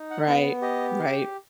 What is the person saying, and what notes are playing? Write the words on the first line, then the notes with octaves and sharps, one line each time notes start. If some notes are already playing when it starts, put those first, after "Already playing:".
Right, right.
Already playing: D#4
F#5
B3
G4 D#5